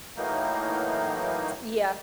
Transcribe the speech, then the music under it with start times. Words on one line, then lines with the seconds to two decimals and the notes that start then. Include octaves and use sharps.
S yeah,
0.17 A2 E3 F#3 A#3 D#4